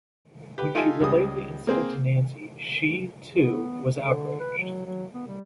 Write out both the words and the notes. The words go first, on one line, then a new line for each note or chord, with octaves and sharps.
When she relayed the incident to Nancy, she, too, was outraged.
G4 B4
D#4 F4 G4 A4 E5 G#5
C#2 G3 G#4 D#6
A#3 C4 G#4
B3
D3
B4
F#3
F#3
B3
G3